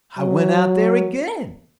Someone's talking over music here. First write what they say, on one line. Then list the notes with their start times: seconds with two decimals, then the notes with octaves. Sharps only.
I went out there again.
0.18 F#3